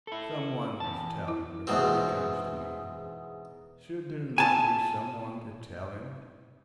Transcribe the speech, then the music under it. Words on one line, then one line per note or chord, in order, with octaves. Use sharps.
Some one must tell him before he comes to me. Should there not be some one to tell him?
E4 A4
E2 A5
E4
E2 G#2 B2 C4
G#5 A5